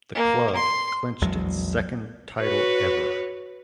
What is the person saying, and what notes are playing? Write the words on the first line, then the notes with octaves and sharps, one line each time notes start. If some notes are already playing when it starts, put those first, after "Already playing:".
The club clinched its second title ever.
A#3
C6
A#1 E2 F#3 G#3
F#4 B4 C#5